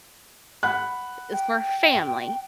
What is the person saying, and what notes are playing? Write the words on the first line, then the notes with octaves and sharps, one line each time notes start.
is for family.
F#5 B5 F#6
G5